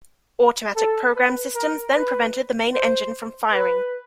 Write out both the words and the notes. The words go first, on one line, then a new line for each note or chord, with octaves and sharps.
Automatic programmed systems then prevented the main engine from firing.
A4
B4
A#4
B4
C5
B4